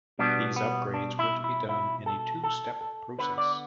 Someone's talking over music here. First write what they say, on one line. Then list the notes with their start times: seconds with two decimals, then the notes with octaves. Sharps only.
These upgrades were to be done in a two-step process.
0.19 B2 G3 B3 D4
0.56 B3
0.94 D4
1.19 E4
1.44 E4
1.69 E4
2.06 A4
2.44 A4
2.81 A4
3.19 D3 B3 B4
3.38 D5